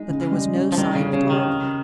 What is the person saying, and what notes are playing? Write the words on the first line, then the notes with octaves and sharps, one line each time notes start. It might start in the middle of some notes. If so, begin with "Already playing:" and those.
But there was no sign of Tarling.
Already playing: G#3 D#4
C#3
G3
C#4
F3
D#3 G3
C#3
C#4
C#3
G4
D#3
C#3